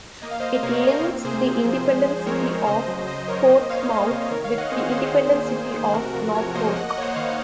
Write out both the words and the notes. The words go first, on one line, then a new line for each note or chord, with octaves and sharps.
It links the independent City of Portsmouth with the independent City of Norfolk.
A#3 D#5
F5
A#3 C5 D#5
C3 A#4 C#5
A#3 A#4 C#5
C4
C3 G#4 C5
C3
F3
G#3
G#3
C4 A#4 C#5
G#3
C#3 C5 D#5
F#3
C#3 C5 D#5
F#3 A#4 C#5
A#3 C5 D#5
A#3 C#5 F5
A#3 C5 D#5
C3
D#3 A#4 C#5
C#5 F5
D#3
D#5 F#5
C4 G#4 C5
D#3 G#4 C5
D#3
A#3
D#3
D#3
C5
C3 F#4 A#4
F3 F#4 A#4
C3 A#4 C#5
A#3 C5 D#5
A#3 D#5 F#5
D#5 F#5
A#3 C#5
C5 D#5
D#3 C#5 F5